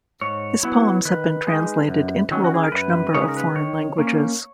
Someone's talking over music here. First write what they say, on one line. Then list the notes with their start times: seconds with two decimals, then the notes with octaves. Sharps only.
His poems have been translated into a large number of foreign languages.
0.21 G#2 C#5
0.63 F#3 B3 E4
1.05 D#3 B4
1.47 G#3 D#4
1.88 F#2
2.31 D#3 F#3 C#4
2.44 F#4
2.54 G#4
2.63 A#4
2.72 F#2 B4
3.14 C#3 G#3 D#4 C#5
3.22 B4
3.29 A#4
3.37 B4
3.56 D#3 C#5
3.98 A#3 C#4